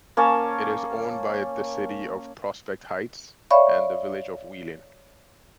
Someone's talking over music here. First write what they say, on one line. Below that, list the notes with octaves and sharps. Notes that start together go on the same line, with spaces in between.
It is owned by the City of Prospect Heights and the Village of Wheeling.
A#3 C#4 C#5 A5
C#5 D5 E5 F5 B5 C#6